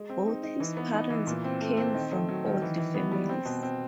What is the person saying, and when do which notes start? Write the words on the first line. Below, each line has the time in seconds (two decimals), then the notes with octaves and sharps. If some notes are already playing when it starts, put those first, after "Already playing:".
Both his parents came from "old" families.
Already playing: G#3
0.10 C4
0.27 D#4
0.43 D#4
0.60 E3
0.77 B3
0.93 D#4
1.10 E3
1.27 A#2
1.44 C4
1.61 A3
1.77 C4
1.94 D#3
2.12 A3
2.28 F#3
2.45 D#3
2.62 E3
2.78 E3
2.94 B3
3.12 G3
3.29 C4
3.45 B2
3.63 C4